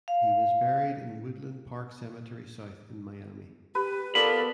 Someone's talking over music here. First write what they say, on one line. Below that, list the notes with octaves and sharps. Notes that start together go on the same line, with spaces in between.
He was buried in Woodland Park Cemetery South in Miami.
F5
G4 B4
B3 F4 A4 A#4 D5 B5